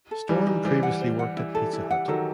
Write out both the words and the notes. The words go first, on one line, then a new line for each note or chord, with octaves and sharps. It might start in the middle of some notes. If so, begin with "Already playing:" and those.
Storm previously worked at Pizza Hut.
A4
E3 G3 D#4
D#4
E3 G3 C5
F#5
C5
F#5
E4
A4
E4
F#5
D#3 F#3 A4